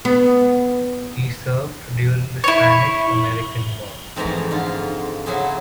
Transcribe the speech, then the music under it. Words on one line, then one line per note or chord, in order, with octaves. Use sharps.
He served during the Spanish-American War.
B3
E4 C#5
F2 G#2 E3 A3 A#5
G#2 D3 F4
C#3 F#3 E4 G#4 C6